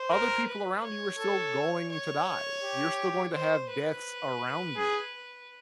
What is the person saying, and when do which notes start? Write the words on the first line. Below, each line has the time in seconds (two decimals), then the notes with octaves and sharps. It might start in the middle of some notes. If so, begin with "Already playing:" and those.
other people around you are still going to die. You're still going to have deaths around you.
Already playing: C5
0.12 A#4
0.47 B4
0.84 C#5
1.19 A4
1.91 C#5
2.63 G4
3.33 C5
3.70 B4
4.77 G#4